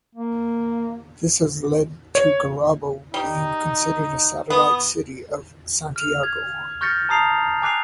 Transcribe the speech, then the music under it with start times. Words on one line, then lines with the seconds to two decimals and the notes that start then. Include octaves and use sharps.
This has led to Gurabo being considered a satellite city of Santiago.
0.15 A#3
2.15 C#5
3.14 G3 D#4
4.50 B3 D#6
5.96 F6 F7
6.23 G#6
6.81 C#6 F6 G6 A6 A#6 C#7
7.09 A5 A#5 D#6 C7 F7
7.62 G#5 D6 F#6 C7 F7